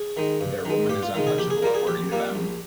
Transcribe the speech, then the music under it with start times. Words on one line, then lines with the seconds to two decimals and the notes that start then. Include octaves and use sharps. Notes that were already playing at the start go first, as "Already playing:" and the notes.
Their woman is untouchable according to them.
Already playing: G#4
0.17 D#3 G#3
0.41 G2
0.65 D#3 G#3
0.89 G2 G4
1.03 F4
1.14 D#3 G#3 F4
1.27 G#4
1.38 A#1 G4
1.50 G#4
1.62 A#2 G3 A#3 A#4
1.74 G#4
1.87 A#1 G4
2.12 A#2 G3 A#3
2.35 A#1